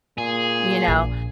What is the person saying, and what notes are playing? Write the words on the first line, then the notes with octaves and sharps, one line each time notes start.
You know?
A#2 G#4
A#1